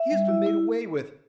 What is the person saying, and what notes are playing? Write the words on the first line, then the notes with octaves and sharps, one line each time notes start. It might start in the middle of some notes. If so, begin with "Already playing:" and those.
He has been made away with.
Already playing: E5
G3
E4
E4